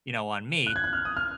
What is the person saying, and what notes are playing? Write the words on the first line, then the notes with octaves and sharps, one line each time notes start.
you know, on me.
F#6
G#6
F#6
F6
D#6
F6